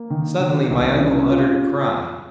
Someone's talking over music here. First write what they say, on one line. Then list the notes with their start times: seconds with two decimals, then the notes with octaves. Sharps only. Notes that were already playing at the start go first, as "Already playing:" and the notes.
Suddenly my uncle uttered a cry.
Already playing: A#3
0.10 D#3
0.40 D#3
0.70 C2
1.00 C#4
1.30 F4